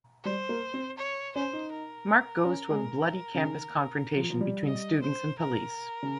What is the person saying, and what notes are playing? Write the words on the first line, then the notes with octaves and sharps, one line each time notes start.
Mark goes to a bloody campus confrontation between students and police.
G3 C5
A#3
C4
C#5
C#4 C5
D#4
A#4
C#4
G#3
C#3
D#3
F3
F3
G3
D#5
C5
A#4
C#3